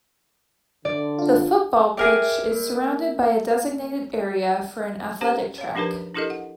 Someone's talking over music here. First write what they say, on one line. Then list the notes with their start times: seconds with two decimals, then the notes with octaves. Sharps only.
The football pitch is surrounded by a designated area for an athletic track.
0.85 D3 D5
1.19 D4 F4
1.97 G#4 A#4 D5 E5 G5
2.51 A#3
5.21 C#4 G4 C5 F#5 A#5
5.58 C#5 F5
5.75 F3 D4 D#4 G4 A#4 B4
6.15 D4 E4 G4 A4 A#4 D#5
6.30 F#5